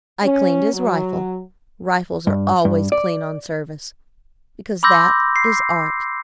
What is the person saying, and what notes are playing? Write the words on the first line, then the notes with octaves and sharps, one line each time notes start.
I cleaned his rifle,--rifles are always clean on service,--because that is Art.
C#4
F#3
G2
G2
D5
B5 C6 D6 E6 G6 A#6
C7